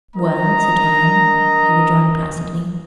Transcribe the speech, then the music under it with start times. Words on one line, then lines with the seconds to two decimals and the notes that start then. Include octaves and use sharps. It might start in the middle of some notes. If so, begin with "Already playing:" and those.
"Well, citoyenne?" he rejoined placidly.
0.16 D4 A#4 D#5 A#5